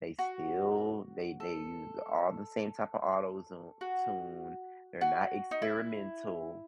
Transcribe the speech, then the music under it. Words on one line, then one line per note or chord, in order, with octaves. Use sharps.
They still they they use all the same type of auto zo tune. They're not experimental,
F#4
A4
F#4
F#4
D#4
E4